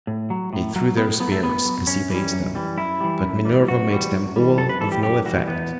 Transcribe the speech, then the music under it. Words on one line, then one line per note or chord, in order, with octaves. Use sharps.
They threw their spears as he bade them, but Minerva made them all of no effect.
A2
F#3
A2
F#3
A2 B3
F#3 B3
A3
A2 B3
F#3
F#2 C#4
E3 G3
F#2
E3 G3
F#2 E4
E3 G3
F#2
E3 G3
F#2 F#4
E3 G3
F#2
E3 G3
F#2 A4
B4
E3 G3 A4
G4
F#2 G4
E3 G3 F#4
E2 B3